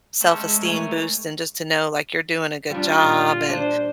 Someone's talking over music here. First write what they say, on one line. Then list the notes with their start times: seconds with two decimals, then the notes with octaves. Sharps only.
self-esteem boost and just to know, like, you're doing a good job and
0.21 G#3 A3 C4 C#4
0.62 A3 A#4 C#5 G#5
2.70 G3 D4 F4
3.03 A#2
3.49 D4 C5